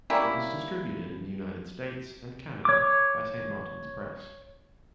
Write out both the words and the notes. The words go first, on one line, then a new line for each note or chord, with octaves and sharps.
It was distributed in the United States and Canada by Saint Martin's Press.
G3 A#3 C#4 E4
C#5 D6